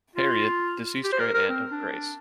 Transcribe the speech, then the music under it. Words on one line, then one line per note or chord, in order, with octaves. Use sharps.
Harriet: Deceased great-aunt of Grace.
F4
G4
C5
A#4
A#4
C4
D4